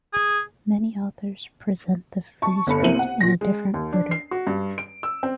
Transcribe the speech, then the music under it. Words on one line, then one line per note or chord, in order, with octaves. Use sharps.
Many authors present the frieze groups in a different order.
G#4
A5 C#6
G1 A4 B5 C#7
C2 A#3 E4 C5 D#7 F#7
F#5
A#2 A#6
G#3
D#2
D4
C7
F#4
G2
D7
E6
C4